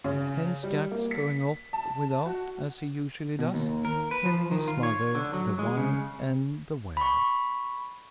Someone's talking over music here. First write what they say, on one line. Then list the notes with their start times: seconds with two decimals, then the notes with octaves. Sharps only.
Hence, Jack's going off, without, as he usually does, telling his mother the why and the where.
0.04 C#3
0.63 G3
0.91 A#3
1.11 B6
1.73 A5
2.26 F#4
3.39 B2
3.54 D#2
3.85 A#4
4.11 B4
4.25 F3
4.51 D#3
4.68 F4
4.83 C#5
5.15 D3
5.33 F#3
5.59 G#3
5.77 C#3
6.97 B5 C#6